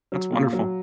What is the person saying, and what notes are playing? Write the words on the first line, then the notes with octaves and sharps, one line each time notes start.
That's wonderful.
F#3
A#2
F#3